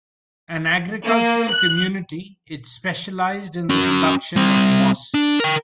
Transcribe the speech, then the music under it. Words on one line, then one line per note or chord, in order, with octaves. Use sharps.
An agricultural community, it specialised in the production of moss.
A#3
F#6
C#4 F#4
G3 C4
D4
A#4 G5